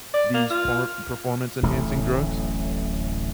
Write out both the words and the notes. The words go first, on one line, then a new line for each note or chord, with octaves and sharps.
these por performance-enhancing drugs?
D5
A#3
F4
D1 A1 A2 A3